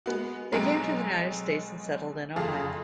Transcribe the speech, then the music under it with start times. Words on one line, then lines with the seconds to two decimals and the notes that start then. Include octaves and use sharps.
They came to the United States and settled in Ohio.
0.06 G#3 B3 F#4
0.53 B1 B2 G#3 C4 A#5 D7
2.36 F#1 F2 F4 G#4 A4